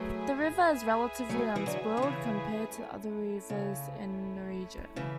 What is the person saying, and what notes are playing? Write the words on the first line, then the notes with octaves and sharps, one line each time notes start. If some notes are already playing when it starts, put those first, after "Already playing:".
The river is relatively unspoiled compared to other rivers in the region.
Already playing: F#3 A3 G#4 B4 E5 G#5
F#3 A3
E3
D3 F#3
D3
C#3 E3
A3 C#4 E4
C#3
C#3 E3